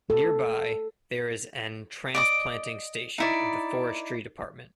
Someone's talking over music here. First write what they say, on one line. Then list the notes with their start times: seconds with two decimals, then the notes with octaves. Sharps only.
Nearby, there is an transplanting station of the Forestry Department.
0.10 A4
2.15 D5 D#5 D6
3.18 D#4 E4 D5